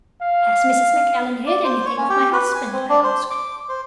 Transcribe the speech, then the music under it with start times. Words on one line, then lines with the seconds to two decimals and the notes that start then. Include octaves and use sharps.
"Has Mrs. Macallan heard anything of my husband?" I asked.
0.22 F5
1.46 D5
1.64 C5
1.86 C#5
1.98 C#4
2.10 G4
2.33 B4
2.55 G#5
2.73 C4
2.89 D4
3.04 C5
3.30 D6
3.69 C5